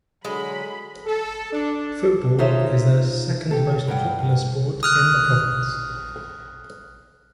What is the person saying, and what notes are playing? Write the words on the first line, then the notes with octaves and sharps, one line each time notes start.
Football is the second most popular sport in the province.
D3 F#3 G#3 B5
A4
D4
D#4 F4 G#4 C5 C#5 E5
G4 A4
G2 A#4 B4 F#5 G5
D#6 F6 F#6